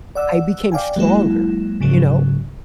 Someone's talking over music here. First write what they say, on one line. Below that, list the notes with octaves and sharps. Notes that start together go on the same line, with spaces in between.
I became stronger, you know.
D5 F#5 E6
D5 F5 G5 G#5
F#3 G#3 A#3 E4
G#2 C#3 F#3